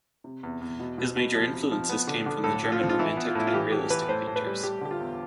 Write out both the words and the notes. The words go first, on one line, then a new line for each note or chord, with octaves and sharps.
His major influences came from the German Romantic and Realistic painters.
C3
E2
E2
B2
B2
B2
F3
C3
F3
B3
D3
D3
A2 A4
F3
F4
C4
F4
E3 E4
B3
F4
A2 E4
F4
E3 G4
E3 G4
E3 B4
A2 C5
A2
B4
G3
G3 G4
D3 G4
F4
E2